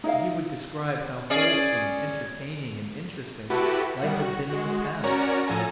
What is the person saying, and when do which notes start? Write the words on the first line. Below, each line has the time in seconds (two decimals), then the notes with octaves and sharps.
And he would describe how wholesome, entertaining, and interesting life had been in the past.
0.04 D#4 E4 D#5 F5
1.30 C#4 G#4 D5
3.50 E4 F#4 G4 A4 B4
4.01 D#3 G3 F#5
4.22 F#4
4.50 G#3 F#4
5.04 C#4 F#4 A#4 C#5 D5 A#5
5.47 A2 F3 A4 G#5 A#5